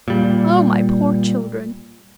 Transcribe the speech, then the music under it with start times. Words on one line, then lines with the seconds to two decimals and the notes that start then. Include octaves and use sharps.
O my poor children!
0.08 A#2 G3